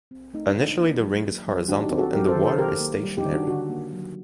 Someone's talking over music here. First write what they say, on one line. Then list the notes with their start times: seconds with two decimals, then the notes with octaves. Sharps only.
Initially the ring is horizontal and the water is stationary.
0.11 C4
0.33 A3 D#4
0.49 D4
0.56 D#3
0.64 D#4
0.79 A#3
1.01 F#3
1.24 A#3
1.47 F#3
1.68 D#3 D4 F#4
1.83 D#4 G4
1.90 C4
1.98 F#4 A4
2.13 F#3 G4 A#4
2.28 A4 C5
2.35 D#3
2.43 A4 C5
2.58 D#3 G4 A#4
2.80 A#3
3.03 G3
3.17 D#4 G4
3.26 D#3
3.32 D4 F#4
3.47 D3 D4 F#4
3.70 A#3
3.93 F#3